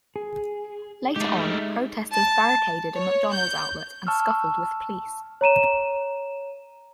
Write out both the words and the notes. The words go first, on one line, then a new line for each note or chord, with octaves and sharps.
Later on, protesters barricaded a McDonald's outlet and scuffled with police.
G#4
G#3 A3 D#4 G4
A5
C#5
G6
A5 C#6 E6 F6
C#5 A#5 D#7 E7